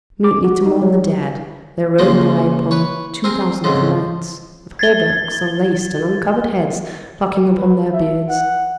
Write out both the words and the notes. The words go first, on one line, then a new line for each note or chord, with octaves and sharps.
Meetly to mourn the dead there rode nigh upon two thousand knights, with hauberks unlaced, and uncovered heads, plucking upon their beards.
D6
F#4
D#4
F#3
C#3 F3 G#3 A#3 D#4
B4 C#5
C4 G#4 A#4 G#5
F2 G#2 C#3 F3 G#3
G#6 A6 G7
B4
E5
F#5